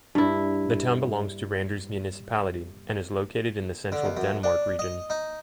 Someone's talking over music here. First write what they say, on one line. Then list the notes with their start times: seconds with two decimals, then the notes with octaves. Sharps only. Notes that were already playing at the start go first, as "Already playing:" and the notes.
The town belongs to Randers Municipality and is located in the Central Denmark Region.
0.15 G2 E4
3.92 D3
4.05 D#2
4.17 F#2
4.44 D4
4.79 D#5
5.10 D#4